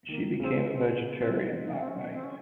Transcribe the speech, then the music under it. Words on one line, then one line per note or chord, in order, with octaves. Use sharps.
She became a vegetarian that night.
D#3 A#3
C#3 C4
C4
C4
D#4
C#4
C4
C#4
C4
C#4